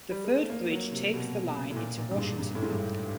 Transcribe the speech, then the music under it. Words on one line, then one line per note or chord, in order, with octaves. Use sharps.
The third bridge takes the line into Washingtonville.
G3
G#3
A3
A#3
F#3
C3
B2
A2
A#2
A#2
G2
G#2
G2
A2
G#2
G2